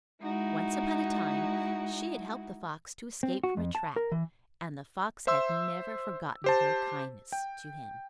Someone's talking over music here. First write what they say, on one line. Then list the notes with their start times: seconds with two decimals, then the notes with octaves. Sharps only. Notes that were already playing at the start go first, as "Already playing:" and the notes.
Once upon a time she had helped the fox to escape from a trap and the fox had never forgotten her kindness to him.
0.22 G#3 D#4 E4 F#4
3.23 C4
3.44 F#4
3.57 F2
3.75 A5
3.96 A#4
4.12 E3
5.27 C5 E5 C6 E6
6.44 G4 C5 A5
7.32 G5